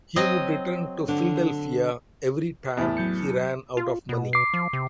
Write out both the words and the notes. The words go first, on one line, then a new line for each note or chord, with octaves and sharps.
He would return to Philadelphia every time he ran out of money.
F#3 C4 D#5
D3 D4
E2 A2
F#3 G6 C#7
F4
B2
D6 C7
F3
C3